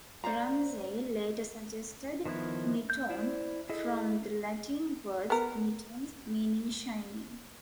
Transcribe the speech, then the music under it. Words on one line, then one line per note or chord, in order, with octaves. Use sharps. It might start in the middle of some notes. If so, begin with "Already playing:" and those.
Ramsay later suggested "niton", from the Latin word "nitens" meaning "shining".
C5 D5 F5 A#5
D#3 F3 B3 E4
G6
E4 C5 D5
E4 G#4 A4 D#5
B3 A#4